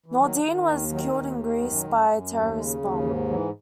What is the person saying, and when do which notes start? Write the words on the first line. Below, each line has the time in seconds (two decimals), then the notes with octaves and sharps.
Nordeen was killed in Greece by a terrorist's bomb.
0.06 E3
0.17 D#3 F#3
0.42 D#3
0.66 D#2
0.89 D#3 F#3
1.13 D#2
1.38 D#3
1.61 F#2 F#3
1.75 F#3
1.85 F#2 G#3
2.09 F#2
2.32 D#2 F#3
2.56 C#3 G#3
2.80 D#2 F#3
3.04 G#2 E3
3.28 E3 F#3